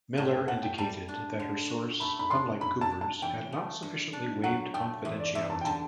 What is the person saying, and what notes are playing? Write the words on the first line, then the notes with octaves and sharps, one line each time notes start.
Miller indicated that her source, unlike Cooper's, had not sufficiently waived confidentiality.
A2 A5
G5
A2 F#5
G5
G3 A5
D4
D3
F#4
A3 B5
B5
D4 C6
F#2 B5
A5
D4
A5
E3 G5
A3
G2
D4
F#3 F#5
A3 G5
E2 E5
D5
E2 E5
A5
G5
D3 A5